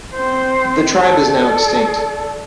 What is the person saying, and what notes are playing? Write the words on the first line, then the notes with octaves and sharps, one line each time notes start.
The tribe is now extinct.
C4 C5
A4 D5